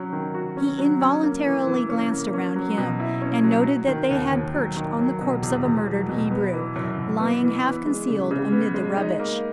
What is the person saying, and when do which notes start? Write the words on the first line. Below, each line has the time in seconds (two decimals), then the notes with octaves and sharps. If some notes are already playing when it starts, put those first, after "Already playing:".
He involuntarily glanced around him and noted that they had perched on the corpse of a murdered Hebrew, lying half concealed amid the rubbish.
Already playing: F#3 C#4
0.13 D#3
0.34 F#4
0.57 C#4
0.78 F#3
1.01 C#4
1.23 A#3
1.45 E3
1.67 E3
1.89 C#4
2.11 A#3
2.34 C#4
2.56 F#3
2.78 B2
3.00 E4
3.21 C#4
3.44 F#3
3.66 F#3
3.88 D#3
4.11 D#2
4.32 D#2
4.55 F#3
4.76 D#3
4.99 F#3
5.21 B2
5.43 E2
5.65 E2
5.88 F#3
6.09 B2
6.31 B3
6.53 E3
6.76 F#2
6.98 F#2
7.19 B3
7.42 E3
7.64 B3
7.86 G#3
8.08 C#3
8.31 C#3
8.52 B3
8.74 G#3
8.97 D#4
9.19 A#3